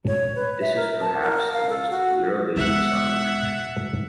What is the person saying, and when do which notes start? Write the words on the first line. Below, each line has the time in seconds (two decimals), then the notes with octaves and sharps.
This was perhaps the most 'Eurovision' sounding entry.
0.07 C#5
0.36 B4
0.61 E5
0.76 A#4
1.01 A5
1.22 A#4
1.53 F5
1.70 A4
1.91 F#4
2.56 E1 E5 F#5